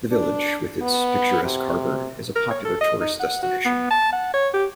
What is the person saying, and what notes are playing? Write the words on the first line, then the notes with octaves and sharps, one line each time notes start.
The village, with its picturesque harbour, is a popular tourist destination.
D4
B3
C3
A#4
C#5
A4
D#5
D#4
F#5
F#4
B3
A5
F#5
C#5
G4